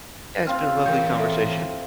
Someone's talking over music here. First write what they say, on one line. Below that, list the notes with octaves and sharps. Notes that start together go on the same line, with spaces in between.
yeah, it's been a lovely conversation.
C4 F4 F5 F6
E3 A#4 C#5 G5 G6
A4 E5